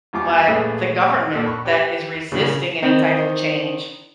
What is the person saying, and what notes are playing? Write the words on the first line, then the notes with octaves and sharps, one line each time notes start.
but the government that is resisting any type of change.
E2 G3 F4 G#5 D6
A#1 A3 G#4 A4 B4
A#2 A4 F#6
B5 C#6
G4 B4 B5
A2 C#3 E3 D4
D#3 E3 C4 D#4